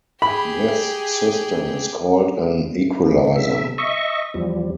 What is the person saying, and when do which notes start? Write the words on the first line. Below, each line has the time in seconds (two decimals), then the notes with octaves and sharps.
This system is called an equalizer.
0.22 G4 G#4 B5
3.36 C3 E5
3.78 D#5 E5 C#6
4.34 E2 F3 G3